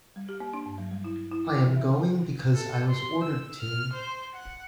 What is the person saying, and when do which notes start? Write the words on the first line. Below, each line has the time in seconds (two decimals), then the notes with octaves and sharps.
I am going because I was ordered to.
0.16 G3
0.29 G4
0.40 A#3
0.53 D4
0.66 G2
0.78 F#3
0.91 G3
1.04 E4
1.31 E4
1.47 D6
1.64 E3
1.76 E5
2.55 A4
2.89 C6
3.22 E6
3.59 F6
3.92 C5
4.34 F#5